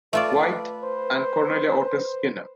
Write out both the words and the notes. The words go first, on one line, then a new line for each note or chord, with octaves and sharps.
White, and Cornelia Otis Skinner.
A3 F4 B4 D5
C5